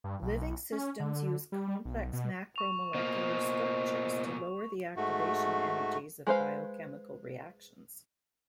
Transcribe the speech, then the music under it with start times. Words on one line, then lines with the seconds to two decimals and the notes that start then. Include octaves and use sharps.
Living systems use complex macromolecular structures to lower the activation energies of biochemical reactions.
0.04 G2
0.22 B1
0.72 C#4
1.00 D3
1.52 G3
1.85 B1
2.13 B2
2.56 C#6 F7
2.95 B2 A#3 C5 D#5
4.97 G#2 A3 F#4
6.27 G#3 B4 C5 F5